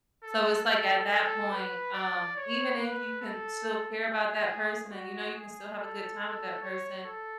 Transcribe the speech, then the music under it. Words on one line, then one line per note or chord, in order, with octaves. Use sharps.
So it's like at that point, um, even if you can still care about that person and you know you can still have a good time with that person,
A4
A4
A4
B4
D5
C#5
B4
A4
G#4
F#4
G#4
A4
A4
C#5
A4